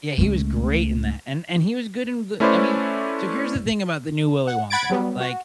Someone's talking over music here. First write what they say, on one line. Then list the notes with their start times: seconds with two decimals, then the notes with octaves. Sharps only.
yeah, he was great in that, and and he was good in the I mean, so here's the thing about the new Willy Wonka, like,
0.18 C#2 A3
2.40 A3 C#4 E4 B4 C5 D5
4.47 F#5
4.70 F#5 B5 G#6 A6 D7
4.90 F#3 G3 B3
5.20 F#4